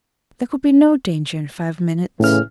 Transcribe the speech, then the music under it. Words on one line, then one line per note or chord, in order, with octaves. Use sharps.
There could be no danger in five minutes.
A2 C#3 E3 F6